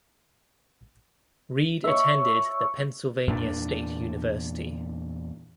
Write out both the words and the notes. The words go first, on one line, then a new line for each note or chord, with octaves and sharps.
Reid attended the Pennsylvania State University.
C#5 E5
E2 A#2 C#4 D4